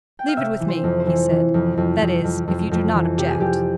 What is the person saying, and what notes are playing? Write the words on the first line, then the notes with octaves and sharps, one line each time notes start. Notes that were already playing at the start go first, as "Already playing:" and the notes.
"Leave it with me," he said; "that is, if you do not object."
G5
F5
C3 E5
E3
C5
F2
C5
E3
E3
F2
F2
F2
F2
F2
F2
E3
C3 G4
G#4
F2 G4